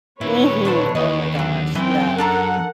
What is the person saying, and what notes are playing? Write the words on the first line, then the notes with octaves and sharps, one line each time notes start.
Mhm. Oh my gosh. Yeah.
A#2 D#3 E4 B4 C#5
D4 A4 C5
D#2 D#5
D3 F#3
F#2 E3 C4 G5
D4 A4 A#4 F#5 A#5